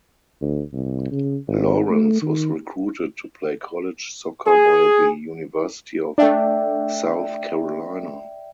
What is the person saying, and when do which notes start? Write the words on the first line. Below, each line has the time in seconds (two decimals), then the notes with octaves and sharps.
Lawrence was recruited to play college soccer by the University of South Carolina.
0.41 D2
0.73 C2
1.11 C#3
1.48 G#1
1.90 A3
2.22 D#3
4.45 G#4
6.18 A3 D4 D5 E5 G5